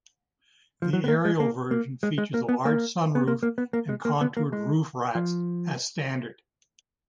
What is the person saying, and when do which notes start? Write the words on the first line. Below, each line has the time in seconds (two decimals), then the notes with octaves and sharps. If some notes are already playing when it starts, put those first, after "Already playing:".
The Aerial version features a large sunroof and contoured roof racks as standard.
0.82 F3
0.93 F#3
1.04 B3
1.08 A#3
1.25 G#3
1.40 A#3
1.71 A#3
2.03 G#3
2.18 G#3
2.34 A#3
2.49 B3
2.65 A#3
3.15 B3
3.28 A#3
3.43 A#3
3.58 B3
3.73 A#3
3.89 G#3
4.05 A#3
4.21 B3
4.37 A#3
4.53 G#3
5.15 F3